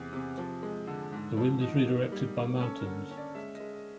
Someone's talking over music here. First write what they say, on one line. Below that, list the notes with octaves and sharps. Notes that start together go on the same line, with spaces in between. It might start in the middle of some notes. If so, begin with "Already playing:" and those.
The wind is redirected by mountains.
Already playing: E2 C3 G#4
C3
F3
G#3
D3
G#2
F3
D#4
A#3
G3
A#3
C#4 A4
A#4
D3
C#4
D5
G#3 E5
D#5
G#3
D#5